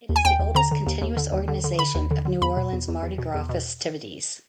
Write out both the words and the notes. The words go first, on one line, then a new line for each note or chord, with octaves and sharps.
It is the oldest continuous organization of New Orleans Mardi Gras festivities.
D#2
G#5
D#2 G5
D#2
D3 A#5
D3
D#2
D#2
D3
D#2
D3
D3
D3 B5
D#2
D3
D3
E2 B5
B2
E2
E2
E2
B2
E2
B2